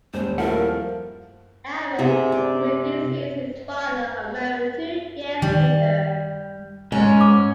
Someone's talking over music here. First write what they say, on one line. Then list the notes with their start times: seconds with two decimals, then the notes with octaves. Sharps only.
However, he predeceased his father, unmarried two years later.
0.14 D#1 C5
0.38 F2 F3 A3 E4 A#4 F#5
1.99 C3 C4 G#4 A#5
2.32 D5
5.42 D#3 G3
6.92 G#2 C#4
7.21 D6